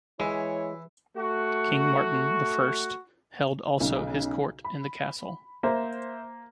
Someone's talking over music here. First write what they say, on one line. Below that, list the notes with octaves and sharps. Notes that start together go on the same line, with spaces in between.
King Martin the First held also his court in the castle.
E3 G#3 E4 C#5
A3 F#4
B1 C#3
B5
A#3 C5 E5